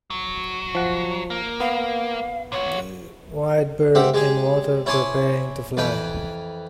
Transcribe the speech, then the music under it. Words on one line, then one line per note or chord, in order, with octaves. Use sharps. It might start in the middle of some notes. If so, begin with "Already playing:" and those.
White bird in water preparing to fly.
F#3
F3 F#5
A#3
B3 F5
A#2 F#4 C#5
C#2 C4 G4 E5 F#5
G#3 G4 G#4
E4 C#5 G#5 A5 C6 D6
F2 E3 B4 G5